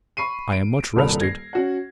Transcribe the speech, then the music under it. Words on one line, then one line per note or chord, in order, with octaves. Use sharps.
I am much rested.
B5 C#6 C7 D#7
D7
D#1 C2 A4 B5 F7
G#6 A#6 C7
C#4 F#4 F#5